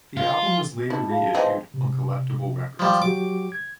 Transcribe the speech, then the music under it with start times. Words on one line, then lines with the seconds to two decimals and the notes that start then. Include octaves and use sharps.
The album was later reissued on Collectables Records.
0.17 F4
0.90 D#4 E4 A5
1.08 F4 G#4 F5
1.34 E3 C4 D#4
1.74 C3
2.79 F3 G3
3.02 F#3 F#4 G4 D6
3.52 G#6